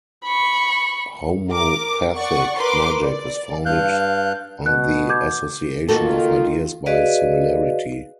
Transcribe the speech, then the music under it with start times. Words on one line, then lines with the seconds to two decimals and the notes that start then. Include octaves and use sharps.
Homeopathic magic is founded on the association of ideas by similarity.
0.24 B5 C#6
1.50 A#4 D6
2.16 D5 F#5 C#6
2.58 A#4 B4 C6 D6
3.02 D5
3.66 G2 F5 F#6 G6
4.66 B2 F#6
5.09 D6 G6 G#6
5.88 D#3 A#3 F4 F#4 A4
6.86 F#4 G#4 B4 D5 D#5 F5